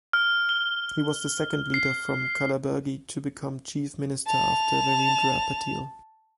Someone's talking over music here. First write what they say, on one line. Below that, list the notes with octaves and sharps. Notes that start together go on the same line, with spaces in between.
He was the second leader from Kalaburgi to become Chief Minister after Veerendra Patil.
F6
G7
C7
A5 F7